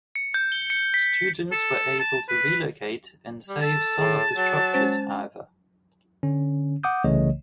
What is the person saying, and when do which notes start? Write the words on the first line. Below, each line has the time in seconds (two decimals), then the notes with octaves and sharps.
Students were able to relocate and save some of the structures, however.
0.15 C#7
0.34 G6
0.52 G7
0.70 C#7
0.94 B6
1.14 B6
1.52 A4
2.00 A5
2.28 B4
3.48 G3
3.62 A4 A5
3.98 A2 G#4
4.36 F#3
4.73 G#3 C#4 C5
6.23 D3 C#4
6.83 F#5 D6 D#6 G6
7.04 C2 C#3 E3 A3 C#5 D#5